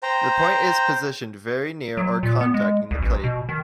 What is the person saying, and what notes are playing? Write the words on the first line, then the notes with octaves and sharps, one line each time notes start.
The point is positioned very near or contacting the plate.
C5 G5 A#5
F#3
A#2
B3
G#3
C2
A1
B2
D#3